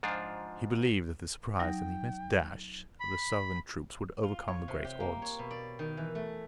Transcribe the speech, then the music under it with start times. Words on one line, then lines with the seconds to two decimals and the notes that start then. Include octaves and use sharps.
He believed that the surprise and the immense dash of the Southern troops would overcome the great odds.
0.03 G#2 F3 D4 F4
1.60 F#3 D#4 G5 A#6
3.00 B5
4.23 F4
4.48 C#5
4.68 C3
4.85 G4
5.00 A#3
5.22 C#5
5.39 B2
5.51 D5
5.79 D#3
5.97 E3
6.15 A3